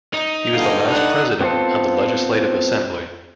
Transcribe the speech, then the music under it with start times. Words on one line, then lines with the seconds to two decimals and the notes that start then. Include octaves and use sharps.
He was the last president of the Legislative Assembly.
0.14 D#4
0.52 G2 D3 D#5 F5
0.89 D4 F#5
1.41 B3 C4 F4 A4